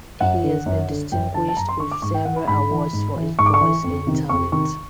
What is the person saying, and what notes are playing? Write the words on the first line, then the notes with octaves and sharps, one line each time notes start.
He has been distinguished with several awards for his voice and talent.
F#2 F#5
D3
F#2
D3
F#2 G5
D3 A5
A5
F#2 A#5
C6
D3 C#6
D6
G#2 C#6
G5
E3 F#5
B5
G#2 B5
E3
G#2
E3
G#2 C#6
D6
C#6
E3
F2
C3 D#3
F2 C#6
C3 D#3 C#6